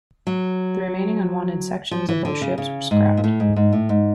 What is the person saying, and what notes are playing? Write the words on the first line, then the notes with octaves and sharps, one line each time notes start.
The remaining unwanted sections of both ships were scrapped.
F#3
F3
E3
D3
C#3
C#3
G#2
A#2
A2
G#2
G#2
A2
G#2